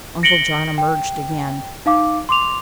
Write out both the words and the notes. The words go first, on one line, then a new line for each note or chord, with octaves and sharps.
Uncle John emerged again.
A#6 C#7 D7 F#7 G7
G5
D#4 F5 D6
C6 D6 F7